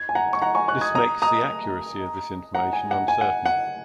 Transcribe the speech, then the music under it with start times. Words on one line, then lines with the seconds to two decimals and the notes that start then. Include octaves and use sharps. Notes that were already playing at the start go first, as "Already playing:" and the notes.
This makes the accuracy of this information uncertain.
Already playing: G#6
0.09 G#5
0.15 F#5 A#5
0.33 C#6
0.42 F#5 A#5
0.55 G#5 C#6
0.68 C#6 F#6
0.81 D#6 G#6
0.95 A#5 D#6
1.22 A#5 D#6
2.55 F#5 A#5
2.73 G#5
2.91 F#5
3.08 G#5
3.21 F#5
3.46 F#5